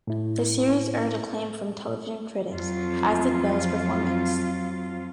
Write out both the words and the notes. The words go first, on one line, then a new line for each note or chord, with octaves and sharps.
The series earned acclaim from television critics, as did Bell's performance.
A2 E4
F2 F#3 F4